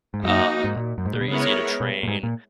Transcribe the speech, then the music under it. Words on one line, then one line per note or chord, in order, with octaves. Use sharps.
Um, they're easy to train,
G#2
F#2 A#3 D#4 F#4
G#2
A#2
F#2
G#2
A#2
B2
C#3 G#3 B3 E4 A#4 C#5
B2
A#2
G#2
A#2